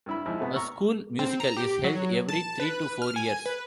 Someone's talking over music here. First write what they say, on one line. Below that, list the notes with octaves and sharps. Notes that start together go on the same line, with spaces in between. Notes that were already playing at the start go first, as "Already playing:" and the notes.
A school musical is held every three to four years.
G2 E4 B5
G#2 F3 E4
C3 A3 B3
A#5 C#6 E6 F6
C4
A#5
G4
F#3
A5
B4
F6
G#5
B4